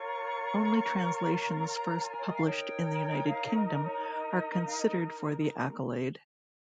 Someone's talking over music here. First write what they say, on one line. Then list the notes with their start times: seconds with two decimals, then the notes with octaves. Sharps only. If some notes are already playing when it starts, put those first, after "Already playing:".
Only translations first published in the United Kingdom are considered for the accolade.
Already playing: F4 A#4 C#5 C#6
1.62 A#5
2.00 G5
2.03 G#5
2.15 C#5
2.26 D#5
2.35 F5
2.45 D#4 A#4 C#5 G5
3.28 F5
3.56 D#5
3.83 C#5
4.11 D#5
4.53 D#5
4.65 F5
4.78 D#5